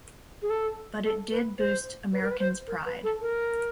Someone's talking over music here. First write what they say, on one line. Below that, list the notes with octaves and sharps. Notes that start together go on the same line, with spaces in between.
But it did boost Americans pride.
G#4
A4
A4
B4
C5
B4
A#4
B4
C5
A#4
B4
A4
A#4